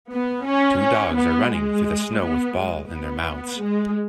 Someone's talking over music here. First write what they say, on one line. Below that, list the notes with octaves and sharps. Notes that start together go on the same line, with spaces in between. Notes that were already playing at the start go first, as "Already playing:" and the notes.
Two dogs are running through the snow with ball in their mouths.
B3
C#4
C#4
B3
G#3
B3
G#3
B3
G#3